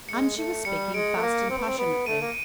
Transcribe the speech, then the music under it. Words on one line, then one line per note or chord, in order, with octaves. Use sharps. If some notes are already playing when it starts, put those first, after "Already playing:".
And she was speaking fast and passionately.
G#3 C#7
A3
G3 C#7
G#3 D7
A3
A#3
C4
B3
C4
B3 D7
A3 D#7
A#3